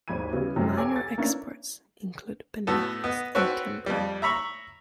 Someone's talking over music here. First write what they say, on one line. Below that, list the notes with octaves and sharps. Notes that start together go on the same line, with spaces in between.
Minor exports include bananas and timber.
G#1 D#2 G#3 B5 G#6 D#7
C#3 G3 B3 E4 F#4
F1 F#2 C4 G4
G4 A4 C#5 G#5 D6
A4 G#5 A6
A#3 B3 C#4 D4 E4
A2 B3 F#4 A4
B3 D#5
C4 F#4 A4 B4 C#5
F2 G3
E5 A#5 B5 C#6